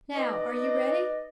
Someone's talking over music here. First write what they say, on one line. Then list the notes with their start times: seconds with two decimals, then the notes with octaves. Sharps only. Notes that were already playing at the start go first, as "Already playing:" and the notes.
Now are you ready?
0.15 D#4 B4 D5 D#5